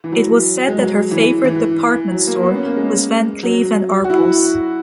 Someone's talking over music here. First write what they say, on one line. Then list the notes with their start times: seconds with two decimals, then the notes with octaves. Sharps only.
It was said that her favorite "department store" was Van Cleef and Arpels.
0.04 E3
0.12 F#3
0.68 G#3
0.78 F#3
1.11 E3
1.45 E3
2.11 F#3
2.27 A#3
2.43 B3
2.55 C#4
2.66 A#3
2.77 G#3
3.43 F#3
4.04 F#4
4.10 E4